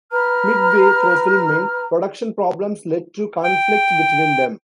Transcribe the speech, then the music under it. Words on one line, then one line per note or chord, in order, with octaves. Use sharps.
Mid-way through filming, production problems led to conflict between them.
B4 A#5 F6
G5